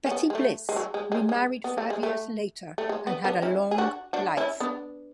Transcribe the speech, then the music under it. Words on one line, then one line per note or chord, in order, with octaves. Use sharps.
Betty Bliss remarried five years later and had a long life.
C#4
B3
G#3
A3
G#3
F#3
G#3
G#3
G#3
B3
A3
G#3
A3
A3
G#3
B3
B3 D4
C#4 E4
G#4
D4 F#4
D4 F#4
C#4 E4
B3 D4